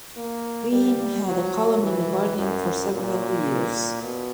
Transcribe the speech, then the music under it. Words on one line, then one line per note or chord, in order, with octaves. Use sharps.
Wheen had a column in "The Guardian" for several years.
A#3
G3
F#3
E3
F#2
A#2
B2